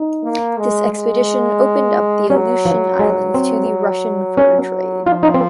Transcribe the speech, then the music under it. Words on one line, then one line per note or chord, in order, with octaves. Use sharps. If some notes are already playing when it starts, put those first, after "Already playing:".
This expedition opened up the Aleutian Islands to the Russian fur trade.
Already playing: D#4
A#3
G#3
G#3
F#3 C#4
F3
G#3
C4
C#4
F3 F4
D#4
C4